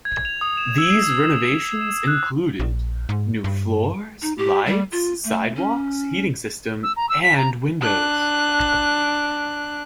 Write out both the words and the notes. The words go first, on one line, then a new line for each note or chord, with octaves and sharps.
These renovations included new floors, lights, sidewalks, heating system, and windows.
G#6
F7
D#6
E7
E6
C7
G#6
E7
E7
F#6
A#1
G#2
G2
D#4
G4
G3
F4
A3
C#4
E6
A#5
E6
B6
A#5
D4 F#6